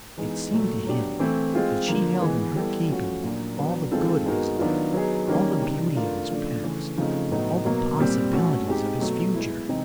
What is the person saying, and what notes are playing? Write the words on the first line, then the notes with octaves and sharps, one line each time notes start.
It seemed to him that she held in her keeping all the good of his life, all the beauty of his past, all the possibilities of his future.
E3 G#3 B3 D#4
A#2 F#3 A3
F#3 B3 D4 G4
E3 A3 C4 E4
G#3 C4 F4 G#4
D3 F3 A#3
E3 G#3 B3
G3 B3 E4 A4
F3 A3 C#4 F#4
A#2 F#3 A#3 D4
F#3 B3 D4
D#3 G#3 C4 F4 A4
G#3 B3 D#4 F#4 A#4
D#3 F#3 B3 D4 F4
F#3 B3 D#4 G#4
D#3 G3 A#3 C#4
C3 D#3 G3 C4
A3 D4 F4 A#4
C#3 F3 A3 D4
C#3 E3 A3
C#3 F3 A3 C4 D#4
A2 F#3 B3 D#4
B2 F#3 A#3
A#2 G3 C4
A3 C#4 F#4 A4
G#3 C4 D#4 G4
B2 F#3 A3
G#3 B3 E4
C3 E3 G#3 C4 D#4